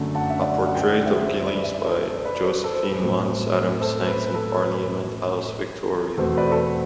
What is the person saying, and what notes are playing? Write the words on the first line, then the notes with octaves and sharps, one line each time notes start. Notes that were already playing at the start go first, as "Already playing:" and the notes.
A portrait of Gillies by Josephine Muntz-Adams hangs in Parliament House Victoria.
Already playing: F#2 D3 A3
F#5 A5
E5
D5 F#5
F#5
G5
D5 F#5
C5 E5
B4 D5
E5
D5
A4 C5
B4 D5
A4 C5
A4
C5
B4
A2 F#3 A3 C4
A4 C5
B4
B4
A4
B4
E2 B2 A3 C4 A4 C5
B4 D5
A4
B4